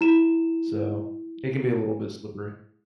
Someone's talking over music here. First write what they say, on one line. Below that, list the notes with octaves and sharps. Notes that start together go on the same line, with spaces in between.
So, it can be a little bit slippery.
E4 E7